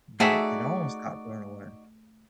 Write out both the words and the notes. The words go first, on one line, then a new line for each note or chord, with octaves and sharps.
but it almost got blown away.
A3 D#4 F#4 G#4 D5 E5